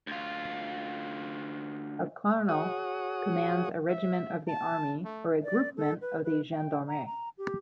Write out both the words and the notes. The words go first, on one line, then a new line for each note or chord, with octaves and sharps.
A "colonel" commands a regiment of the army or a "groupement" of the Gendarmerie.
D2 F4
F#4 G#4 C#5 F#5 D#6
E5
A5
A3
D5
A4
B4
B4
G5
A#5
A#5
G4